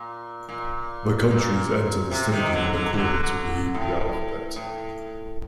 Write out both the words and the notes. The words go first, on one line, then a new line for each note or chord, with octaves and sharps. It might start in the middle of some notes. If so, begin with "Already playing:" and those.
The countries enter the stadium in accordance with the Hebrew alphabet.
Already playing: A#2
A#2
A#2
C3
C3 D#3
D3 F#3
D3 F#3
D3 F#3
A2
A2